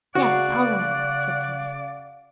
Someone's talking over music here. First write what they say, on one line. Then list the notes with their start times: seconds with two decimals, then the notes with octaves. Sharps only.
"Yes, I'll remember," said Sylvie.
0.15 C#3 F#4 D5 F5 F#5